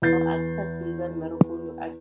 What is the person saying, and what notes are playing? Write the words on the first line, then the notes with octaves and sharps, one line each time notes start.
They find him guilty of treason and sentence him to death.
E2 E3 B4 G6 A6 C7